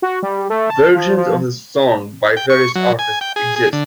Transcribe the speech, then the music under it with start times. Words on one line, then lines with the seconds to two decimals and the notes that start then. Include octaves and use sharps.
Versions of the song by various artists exist.
0.02 F#4
0.23 G3
0.50 A3
0.70 A5
0.94 F3
1.17 F3
2.37 G5
2.50 C#6
2.75 F#3
2.99 G#5
3.21 G5
3.36 G#4
3.56 G#4
3.73 D3